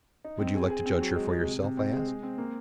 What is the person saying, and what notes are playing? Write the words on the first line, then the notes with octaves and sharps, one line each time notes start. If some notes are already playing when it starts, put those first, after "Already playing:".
"Would you like to judge for yourself?" I asked.
D#4
C4
G#4
G#4
C4
F#3
G#3
G#3
C3
C3
C4
G#3
G#3
C4
A#3